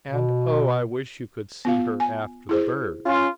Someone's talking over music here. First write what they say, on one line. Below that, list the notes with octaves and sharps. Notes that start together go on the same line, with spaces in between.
And oh, I wish you could see her after the birds!
B2
B3 F4 F5
G#5
E4 G#4 C5
C#4 F4